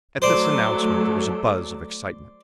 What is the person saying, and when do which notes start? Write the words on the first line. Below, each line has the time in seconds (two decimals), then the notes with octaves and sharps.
At this announcement there was a buzz of excitement.
0.22 F#3 A3 C5 D5